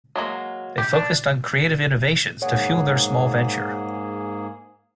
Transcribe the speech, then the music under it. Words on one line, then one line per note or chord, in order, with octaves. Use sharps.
They focused on creative innovations to fuel their small venture.
F#3 G#3 A#3
G4
D4
G#2 A#3 G#4 C#5 F#5